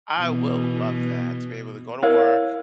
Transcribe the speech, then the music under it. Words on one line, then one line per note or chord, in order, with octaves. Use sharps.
I will love that to be able to go to work,
B2 E3
E4 A#4 C#5 F5